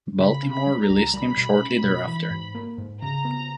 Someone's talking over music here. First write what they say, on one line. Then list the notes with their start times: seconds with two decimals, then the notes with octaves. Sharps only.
Baltimore released him shortly thereafter.
0.19 C#3 B5
0.43 C#4
0.50 B5
0.66 G3
0.82 A#5
0.90 C#2
1.13 G3 B5
1.37 B2
1.60 C#4
1.84 B2
2.07 E3
2.30 G#2
2.55 A#3
2.78 G#2
3.02 C#3 A#5
3.25 B3